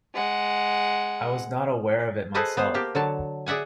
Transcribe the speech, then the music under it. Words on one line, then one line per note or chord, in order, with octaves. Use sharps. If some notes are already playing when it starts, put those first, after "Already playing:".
I was not aware of it myself.
G#3 F#5
G#4 A4 B4 C5 D#5 A5
B3 C5
A#3 G4 A5
D3 F#3 A5
G#4 D5 E5 F#5 G#5